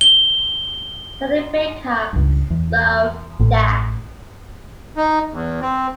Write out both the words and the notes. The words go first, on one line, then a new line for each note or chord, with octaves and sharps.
Sending big hugs, love dad.
G7
C#2 G2
E2
A1 A2
D#4
E2
C4